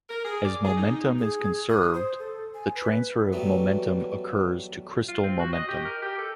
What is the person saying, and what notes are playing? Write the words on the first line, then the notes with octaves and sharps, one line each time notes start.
As momentum is conserved, the transfer of momentum occurs to crystal momentum.
A#4
G#4
D5
G#4
D#4
G#4
D#6
C5
A4
G#5
B4
B2 E3 F#3 G3 A3
F4
C4
F#4
D#5
G4
A#4
G4
A4